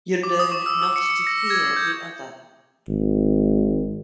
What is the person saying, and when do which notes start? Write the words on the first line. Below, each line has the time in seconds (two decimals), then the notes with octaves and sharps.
You learn not to fear the other.
0.23 D6
0.39 D#6
0.51 C#6
0.66 E6
0.82 D#6
0.96 C#7
1.10 C#7
1.27 A#6
1.50 G#6
1.76 G6
2.88 G#1